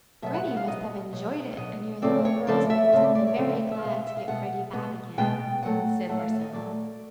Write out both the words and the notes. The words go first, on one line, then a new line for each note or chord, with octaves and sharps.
"Freddy must have enjoyed it and your little girls must have been very glad to get Freddy back again!" said Marcella.
B2 F#3 B3 E5
F#5
F#5
F5
B2 F#3 B3 D#5
B2 F#3 B3
B2 F#3 B3 D#5
C#3 F3 A3 C4 D5
C#5
C#3 F3 A3 C4 D5
E5
C#3 F3 A3 C4 E5
D5
D5
C#5
C#3 F3 A3 C4 F5
E5
E5
E5
B2 G#3 B3 F5
E5
F5
B2 G#3 B3 F#5
B2 G#3 B3
B2 G#3 B3 G5
A#2 F#3 A3 F#5
A#2 F#3 A3 F#5
F5
E5
D#5
A#2 F#3 A3 D5